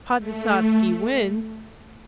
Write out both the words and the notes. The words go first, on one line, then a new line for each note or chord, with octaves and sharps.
Podvysotsky wins.
A3